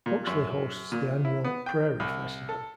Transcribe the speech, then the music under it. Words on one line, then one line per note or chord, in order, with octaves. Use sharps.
Huxley hosts the annual Prairie Festival.
A#2
F#2
A#2
E4
B3
G5
C2
A4